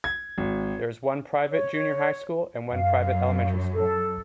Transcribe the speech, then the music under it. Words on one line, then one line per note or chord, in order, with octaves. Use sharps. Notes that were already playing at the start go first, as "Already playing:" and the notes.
There is one private junior high school and one private elementary school.
G#6
G#1
C#5
F#2 F5
A4